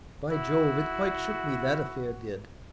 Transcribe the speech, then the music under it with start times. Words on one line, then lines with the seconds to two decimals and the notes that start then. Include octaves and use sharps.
By Jove! it quite shook me, that affair did.
0.31 E4 F#4